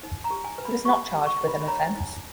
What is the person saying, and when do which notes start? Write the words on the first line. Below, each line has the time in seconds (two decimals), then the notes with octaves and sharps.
He was not charged with an offense.
0.03 D#4
0.24 A#5
0.31 G4
0.44 G#5
0.58 B4
0.65 B5
0.85 G4 C#6
1.13 G4
1.26 C#6
1.41 G4
1.48 B5
1.62 B5
1.68 C#5 A#5
1.95 D#4